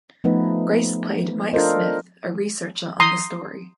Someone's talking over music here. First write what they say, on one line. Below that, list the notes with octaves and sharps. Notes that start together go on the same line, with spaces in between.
Grace played Mike Smith, a researcher on the story.
F3 A3 B3 D#4 B4
D4 F4 A4 A#4 C5 D#5
A#5 C6 D#6